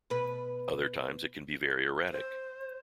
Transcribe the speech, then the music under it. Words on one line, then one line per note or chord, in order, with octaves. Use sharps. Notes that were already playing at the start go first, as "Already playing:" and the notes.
Other times it can be very erratic.
B2 B4
C5